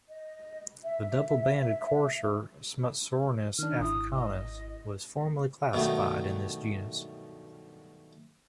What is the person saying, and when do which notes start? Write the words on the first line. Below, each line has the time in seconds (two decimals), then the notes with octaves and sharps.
The Double-banded courser, "Smutsornis africanus", was formerly classified in this genus.
0.09 D#5
0.84 E5
3.59 D#3 D4 F6
3.80 G#1 E4 D#6
4.14 D#5
5.73 G2 B2 D#3 F#3 A3 D#4